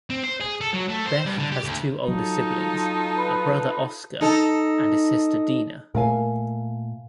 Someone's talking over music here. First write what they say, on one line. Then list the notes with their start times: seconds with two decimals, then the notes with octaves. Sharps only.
Beth has two older siblings, a brother Oscar and a sister Dinah.
0.10 C4
0.24 C5
0.41 G#4
0.61 A4
0.74 F#3
0.89 A3
1.07 C5
1.26 G2
1.39 D3
1.52 G4
1.64 D2
2.08 F#3 D#4 F4 A4
3.18 B4
4.21 D#4 A4
5.95 A#2 A3 A#4 F5 G#5